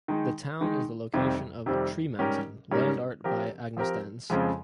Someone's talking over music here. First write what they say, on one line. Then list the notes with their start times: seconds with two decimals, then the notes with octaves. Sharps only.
The town is the location of "Tree Mountain", Land Art by Agnes Denes.
0.08 D#3 G#3 D#4
0.61 D#3 G#3 D#4
1.14 F2 C3 D#3 G3 C4
1.66 F2 C3 D#3 G3 C4
2.19 G#2 G3 C#4 G4 A#4
2.72 G#2 G3 C#4 G4 A#4
3.24 F3 C4 G4 A#4
3.77 F3 C4 G4 A#4
4.30 F2 C#3 F3 G#3